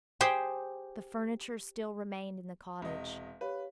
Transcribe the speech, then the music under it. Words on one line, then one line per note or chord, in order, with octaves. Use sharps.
The furniture still remained in the cottage.
G4 G#4 C5 G5
E1 C3 D#5
G4 B4 C#5 F5